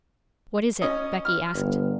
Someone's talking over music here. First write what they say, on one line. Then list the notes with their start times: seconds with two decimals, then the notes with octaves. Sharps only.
'What is it?' Becky asked.
0.82 C#4 D#5
1.25 F6
1.54 G1